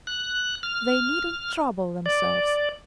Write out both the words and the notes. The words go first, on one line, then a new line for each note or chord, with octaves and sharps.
They needn't trouble themselves!
F#6
F6
D5